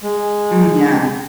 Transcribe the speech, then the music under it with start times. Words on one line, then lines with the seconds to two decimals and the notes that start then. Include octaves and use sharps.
Mm, yeah.
0.03 G#3